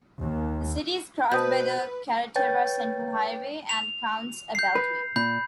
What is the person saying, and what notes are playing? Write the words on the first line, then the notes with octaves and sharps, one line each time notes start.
The city is crossed by the Carretera Central highway and counts a beltway.
D#2
B2 B4 C5 A5 D#6 G6
B4 C#5 G5 G#5 G6 A6
F7
G6 C7
B4
A#2 B5 G6